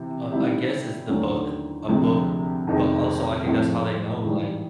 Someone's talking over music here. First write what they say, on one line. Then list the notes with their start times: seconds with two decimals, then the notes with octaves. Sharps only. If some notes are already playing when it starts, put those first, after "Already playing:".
Uh, I guess it's the book a book, but also I think that's how they know, like
Already playing: C3 E3
0.31 D#3 G3 C4 E4 G4
1.09 D#2 D3 F#3 A3 C#4
1.88 D2 C3 F3 G#3
2.67 F2 C3 D#3 G#3
3.46 A2 F3 G#3 C4 F4
4.24 G#2 E3 G3